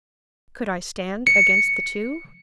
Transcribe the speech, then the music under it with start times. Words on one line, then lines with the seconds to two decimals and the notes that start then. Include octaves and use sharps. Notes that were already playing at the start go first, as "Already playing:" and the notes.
Could I stand against the two?
1.27 C#7